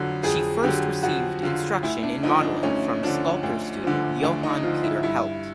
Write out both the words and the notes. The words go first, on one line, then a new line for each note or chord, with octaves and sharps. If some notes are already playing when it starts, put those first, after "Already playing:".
She first received instruction in modeling from sculptor student Johan Peter Heldt.
Already playing: F2 D3 F#3
F2 G#4
D3 F#3 G4
F2 F#4
D3 F#3 F4
D2 E4
D4
D3 F3 D#4
D4
D2 C#4
D3 F3 D4
D2
D3 F3
D2 D4
D#4
D3 F3 F4
E4
G2 E4